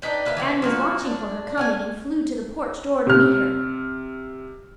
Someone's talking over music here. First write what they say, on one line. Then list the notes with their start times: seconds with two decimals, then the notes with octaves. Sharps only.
Anne was watching for her coming and flew to the porch door to meet her.
0.02 D4 D#4 B4 G5
0.25 A#3 B4 E5 F5
0.37 E3 B3 C4
0.62 F3 A#3 F#4
1.03 D4
1.58 A3 F#5 G#5
3.07 C3 F6